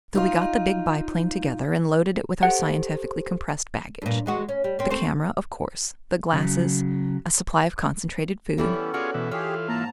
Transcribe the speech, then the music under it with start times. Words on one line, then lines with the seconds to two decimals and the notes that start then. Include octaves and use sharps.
So we got the big biplane together and loaded it with our scientifically compressed baggage: the camera, of course; the glasses; a supply of concentrated food.
0.15 D#4 F4
2.43 G4 A4 C5 F#5
4.02 G2 A#2
4.26 E2 G#3 F#4
4.49 C#4
4.64 G3
4.79 C4 C#4
4.90 A3 C4 C5
6.33 C#3 F#3
8.58 E3 G3 B3 C#4 E4 A4
8.94 F4 F#4 G#4 C#5 D5
9.14 B2 E3
9.31 E3 F4 G4 G#4 C#5
9.69 G#2 A#3 A5 A#5